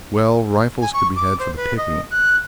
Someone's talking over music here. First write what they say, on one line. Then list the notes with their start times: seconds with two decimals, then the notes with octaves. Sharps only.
Well, rifles could be had for the picking.
0.81 G#5
0.94 C#6
1.16 D6
1.39 C5
1.56 B4
1.77 D#5
2.11 F#6